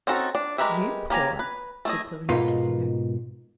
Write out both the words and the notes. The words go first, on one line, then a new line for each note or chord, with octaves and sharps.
"You poor!" said Clorinda, kissing her.
C4 C#4 D#4 F#4 A4
D4
G#3 G4 A#4 B4 E5
A#3 G4 G#5 A#5
B4
A3 E4 D#5
G#2 B2 A#3 B3 D#4 F4